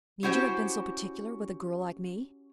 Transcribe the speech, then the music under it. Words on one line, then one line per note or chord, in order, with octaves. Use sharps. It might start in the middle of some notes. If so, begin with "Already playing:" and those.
"Need you have been so particular with a girl like me?"
C#4 E4 F#4 G4 C5